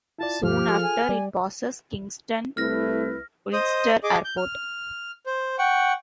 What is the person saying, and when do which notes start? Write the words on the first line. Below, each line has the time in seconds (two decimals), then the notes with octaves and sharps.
Soon after, it passes Kingston-Ulster Airport.
0.19 E4 F4 D5 A5
0.43 D2 G2 B2 F3 G4 F6
0.69 F4 G#4 A4
0.83 G#5
1.09 G3 G4 D5
2.57 C2 A3 E4 B4 F6 A#6
3.53 C5 D#5 D#6
4.03 G#4 D#5 D6
4.25 G6
4.37 F6
5.26 C5
5.59 F#5 G5 C#6